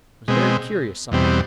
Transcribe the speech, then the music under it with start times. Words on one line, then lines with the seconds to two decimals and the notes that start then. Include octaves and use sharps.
It was very curious, somehow.
0.28 B2 G#3 C4
1.12 E2 B2 G3 C4